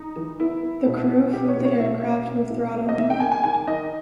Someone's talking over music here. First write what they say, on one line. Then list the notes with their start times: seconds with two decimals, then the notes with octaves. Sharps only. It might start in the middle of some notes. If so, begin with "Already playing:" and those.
The crew flew the aircraft with throttle only.
Already playing: D#4
0.16 E3
0.40 B3 E4
0.63 B3
0.86 B2
1.10 C#4
1.33 B2 G4
1.48 C#5
1.56 B2
1.65 C#5
1.80 B2 E5
2.04 C#4
2.27 C#4
2.50 B2
2.74 A#3
2.89 D#5
2.97 D#3 E5
3.10 G5
3.20 A#3 G#5
3.32 G#5
3.44 D#3 G#5
3.67 D#3 D#5